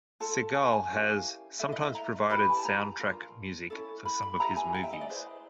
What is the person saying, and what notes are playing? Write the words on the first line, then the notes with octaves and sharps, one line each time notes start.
Seagal has sometimes provided soundtrack music for some of his movies.
F4 A4 A5
G#5
G#5
C#4 E4 G4 A#4 F5
E4 A4 E5
D#5
E5
A#5
E4 G4 B4 B5
G#5
A5
A#5
D4 F4 A#4
C#4 E4 A4
B5
B5
E4 G4 B4 A#5
G#5
G5
E5
D#5
D5
E4 G#4 B4 C5